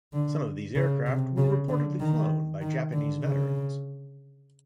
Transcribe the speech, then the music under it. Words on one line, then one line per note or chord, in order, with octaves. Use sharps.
Some of these aircraft were reportedly flown by Japanese veterans.
D3
C#3
C3
C#3
D3
D#3
D#3
D3
C#3